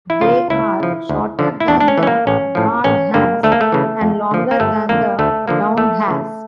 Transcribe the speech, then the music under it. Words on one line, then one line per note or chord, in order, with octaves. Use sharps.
They are shorter than the guard hairs and longer than the down hairs.
E4
C#3 F3 F4
C#2 E4
C#3 F3
D2
D3 F3
E4
E2 D4
D4
C#4
E3
C#4
A#3
A1 C#4
A2 F3
A1 C#4
G2 D3 A#3
D2 A3
A#3
A3
C#3 E3
F2
D3 F3
A#3
G1 A3
F2 D3 A#3
D2 A3
D3 F3 A#3
E2 A3
C#3 E3